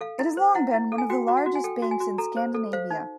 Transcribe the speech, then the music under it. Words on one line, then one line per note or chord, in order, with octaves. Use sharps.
It has long been one of the largest banks in Scandinavia.
A4 F5
E4
C5
E4 F#5
E4
A4
G#5
F#4 G5
F#4
F#5
F#4
G#5
A4 G5
F#4
G#5
F#4
A4 A#5
C5
A4
C5 F5
D#4